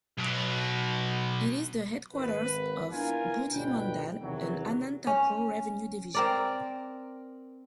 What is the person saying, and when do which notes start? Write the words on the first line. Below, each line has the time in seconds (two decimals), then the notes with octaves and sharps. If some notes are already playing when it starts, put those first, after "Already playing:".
It is the headquarters of Gooty mandal in Anantapur revenue division.
0.17 B1 B2
2.13 G#1 B4
2.92 B3 D4 E4 F4 A#4 G#5
3.52 G1 D2 B2 B4 G5
4.21 E2 C3 D#3 E3 F#3
5.07 C#4
6.14 C4 A#4 D5